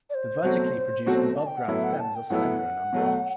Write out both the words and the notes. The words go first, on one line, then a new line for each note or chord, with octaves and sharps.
The vertically produced above-ground stems are slender and unbranched.
D5
C5
B2 F#3 A3 C4 F#4
B2 F#3 A3 C4 F#4
A5
G5
F#5
A2 F#3 B3 E4 A4 E5
F#5
G5
A5
G5
A2 F#3 B3 E4 A4 F#5
B2 F#3 A3